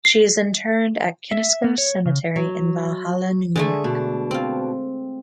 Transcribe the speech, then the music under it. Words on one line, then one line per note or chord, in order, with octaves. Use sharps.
She is interred in Kensico Cemetery in Valhalla, New York.
C7
E5
B3
C#5
C#3
F#3
D3 G#3 A3 G#4
B2 D4
C4 F4